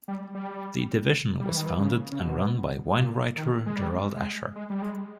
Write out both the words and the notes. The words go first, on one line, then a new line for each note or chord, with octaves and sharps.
The division was founded and run by wine writer Gerald Asher.
G3
G3
G3
E3
D#3
E3
C#3
C#3
B2
A#2
D#3
G#3
G3
G#3
G#3
G3
G#3